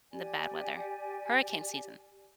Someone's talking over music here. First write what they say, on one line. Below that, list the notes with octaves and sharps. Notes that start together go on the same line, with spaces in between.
the bad weather hurricane season.
G4 D5 G#5